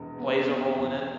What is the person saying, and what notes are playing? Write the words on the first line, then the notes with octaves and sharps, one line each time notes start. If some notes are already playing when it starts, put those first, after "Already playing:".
plays a role in it.
Already playing: E1 E2
B3
B2
E2